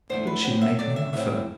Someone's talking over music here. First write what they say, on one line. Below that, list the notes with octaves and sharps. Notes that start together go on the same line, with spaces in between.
How did she make me offer?
E2 D3 A3 C5
B4
F#2 F#3 C4 F#5
E5
C3 F#3 A3 D5
E5
A2 F#3 C4 E5